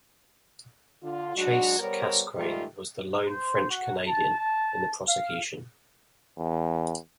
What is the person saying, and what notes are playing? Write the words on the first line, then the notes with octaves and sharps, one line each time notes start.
Chase-Casgrain was the lone French-Canadian in the prosecution.
D3 F4
F#3 G#3 D4 F#4
G3 B3 A#4 C5 C#5
G#2 D#3 G3 A3 F4 G4
C5
F#4
A5
F5
E2